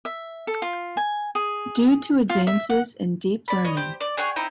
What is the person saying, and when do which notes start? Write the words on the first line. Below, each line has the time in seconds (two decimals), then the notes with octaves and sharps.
Due to advances in deep learning.
0.05 E5
0.47 A4
0.62 F4
0.97 G#5
1.35 G#4
2.29 F4
2.47 E5
2.70 F#5
3.48 D5 B5
3.65 C#5 D#5
3.77 G4 C5
4.01 D5
4.17 G#4 C#5 F#5 G5
4.36 C4 D#4 E4 G5